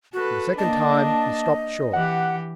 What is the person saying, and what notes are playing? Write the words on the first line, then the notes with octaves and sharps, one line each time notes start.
For the second time, he stopped short.
F#4 A4 B4
A#3 D4 D#5 A5
E3 G4 F#5